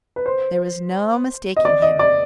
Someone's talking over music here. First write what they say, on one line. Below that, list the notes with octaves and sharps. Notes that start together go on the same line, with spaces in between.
There was no mistaking him.
B4
C5
D#5
D5
D#5
D5